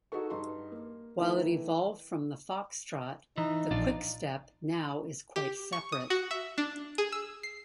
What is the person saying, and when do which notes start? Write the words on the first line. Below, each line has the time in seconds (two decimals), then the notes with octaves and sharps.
While it evolved from the foxtrot, the quickstep now is quite separate.
0.12 D#4 F#4 G#4 A4 C#6
0.30 G2 D#4 C6
0.72 A#3
1.19 D#3 E3 A3 D#4 E4
3.38 E3 D#4
3.71 A#1 D4 F4 D5
5.36 G4
5.73 C#6
5.92 D#6
6.10 F#4
6.31 E5
6.58 D4
6.98 G#4
7.12 E6
7.43 C7